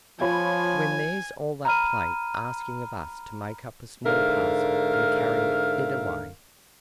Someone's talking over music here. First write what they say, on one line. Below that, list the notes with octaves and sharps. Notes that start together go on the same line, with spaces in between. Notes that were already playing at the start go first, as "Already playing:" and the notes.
"When there's all that plate asking of us to make up a small parcel and carry it away?"
F3 F4 C#5 G#5 B5
A#5 B5 F6 D#7
G#2 D3 A#4 E5 F5